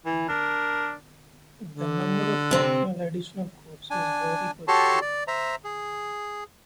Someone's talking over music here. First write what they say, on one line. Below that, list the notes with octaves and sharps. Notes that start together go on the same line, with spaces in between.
The number of optional additional courses vary per school.
E3
D4 A#4
D3
C3 C4
D4 G#5
F#4 G4 A4 C#5 A5 C6
D5
C5 E5 A#5
G#4